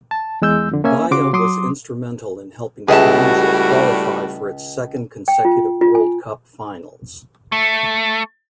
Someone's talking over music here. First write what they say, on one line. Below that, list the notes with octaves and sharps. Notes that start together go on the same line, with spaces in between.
Baya was instrumental in helping Tunisia qualify for its second consecutive World Cup finals.
A5
E2 G#3 E6 G6
F2 D3
A#3 C#4 E5 G#5
C#3 F#4 C6 D6
F#3 C6 D6 D#6
C#2 A2 G3 F#4 G#4 E5 A5
G5
F4
F4
G#5
A3